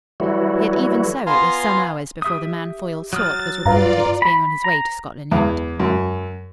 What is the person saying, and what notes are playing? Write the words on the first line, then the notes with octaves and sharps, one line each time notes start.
Yet, even so, it was some hours before the man Foyle sought was reported as being on his way to Scotland Yard.
E3 F#3 G3 A3 E4 F#4
B3 F4 F5 G#5 A#5 C6
G4 E5 D#6
F#3 D#6 F6 A6
G2 F4 B4 D5 F5 A#5
B5
A#5
E2
F#2